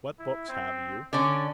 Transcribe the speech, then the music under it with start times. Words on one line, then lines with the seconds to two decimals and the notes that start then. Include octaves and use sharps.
"What books have you?"
0.19 E4
0.49 C4
1.13 D3 C#4 D5